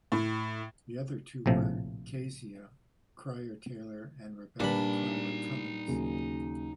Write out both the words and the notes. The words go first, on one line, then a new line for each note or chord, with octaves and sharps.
The other two were Kezia Cryer Taylor and Rebecca Cryer Cummins.
A2
A#1 A2 C3 F3
A#2 G3 D4 D#4 B4 A5 B5
D#2 C#3 F#3